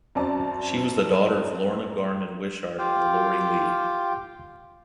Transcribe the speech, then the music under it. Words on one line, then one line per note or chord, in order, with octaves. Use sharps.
She was the daughter of Lorna Garman Wishart and Laurie Lee.
F#2 C4 C#4 D5 A5
F4 G4 F5 G5